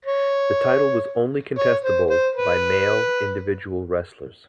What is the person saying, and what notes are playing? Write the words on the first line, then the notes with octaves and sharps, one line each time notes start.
The title was only contestable by male individual wrestlers.
C#5
C#5
C5
C5
B4